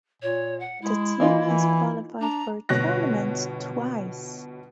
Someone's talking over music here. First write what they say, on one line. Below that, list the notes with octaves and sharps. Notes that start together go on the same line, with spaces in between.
The team has qualified for a tournament twice.
A#2 C#5
F#5
G#3 E4
E3 A#3 D#4 F4
E3
D4 A#5
G1 B2 C#5 F#6 A#6